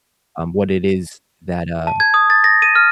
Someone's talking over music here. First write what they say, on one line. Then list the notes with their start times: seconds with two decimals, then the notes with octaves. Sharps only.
um, what it is that, uh,
1.87 A5
2.00 G#6
2.14 D#6
2.30 A6
2.44 A#6
2.62 D#7
2.75 F6